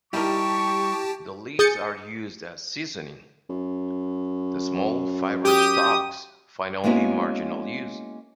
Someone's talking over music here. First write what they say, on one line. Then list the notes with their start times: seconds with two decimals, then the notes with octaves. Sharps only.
The leaves are used as seasoning; the small, fibrous stalks find only marginal use.
0.13 G3 D#4 E4 G4 A#4 G5 A5 C#6
1.59 G#4 D#6 G6 A6 C#7
3.49 F#2
5.44 G4 D#6
6.84 G#3 A#3 B3 C#4 E4 F#4